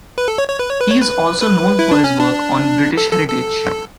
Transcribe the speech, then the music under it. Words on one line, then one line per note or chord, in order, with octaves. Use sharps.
He is also known for his work on British heritage.
B4
A4
C#5
C#5
B4
C#5
B4
C#5
B4
B4
E4
D4
C#4
D4
A4
A4
A4